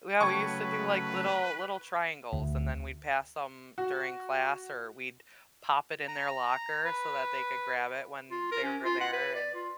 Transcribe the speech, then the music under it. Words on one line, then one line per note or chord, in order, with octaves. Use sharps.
Well, we used to do like little little triangles, and then we'd pass 'em during class or we'd pop it in their locker so that they could grab it when they were there, and
C#3 F#3 A3 B4 G5 A5 C#6 G#6
D2
F#4
A#5
B4
F4
A#4
C#4
F4
F#5
B4
D5
F4